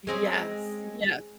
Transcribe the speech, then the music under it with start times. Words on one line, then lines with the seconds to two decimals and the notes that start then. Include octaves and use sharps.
Yes, yeah.
0.07 G#3 C4 C#4